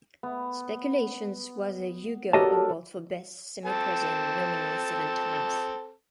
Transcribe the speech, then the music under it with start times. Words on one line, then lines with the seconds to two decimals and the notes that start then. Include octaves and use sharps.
"Speculations" was a Hugo Award for Best Semiprozine nominee seven times.
0.23 B3
2.33 D4 F#4 G4 A4 A#4 C#5 D#5 A5
3.66 C4 A4 A5